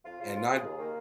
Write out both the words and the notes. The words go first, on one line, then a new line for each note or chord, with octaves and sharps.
And ni
F2 F4
C#3 F4
F2 F4
C#3 G#4
D#2
D#3 A#3